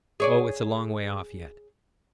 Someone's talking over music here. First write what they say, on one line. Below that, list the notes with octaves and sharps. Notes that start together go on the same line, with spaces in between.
Oh, it's a long way off yet.
G#4 C#5 D5